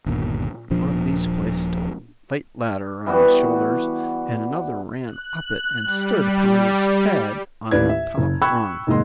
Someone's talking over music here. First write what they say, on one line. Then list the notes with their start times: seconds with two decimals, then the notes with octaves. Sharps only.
One of these placed a light ladder on his shoulders, and another ran up it and stood upon his head on the top rung.
0.06 G1 D#2 A#2
0.70 D#1 A#2 F3 D4
3.06 E3 G3 B3 F#4
5.05 F#6
5.85 G3
7.71 A1 D#2 A2 B4 D5 G#6
7.89 E5
8.18 F#1
8.42 G5 B5 C#6 E6 F#6 G#6
8.87 F1 G#2 D#3 A#3 D#5 C6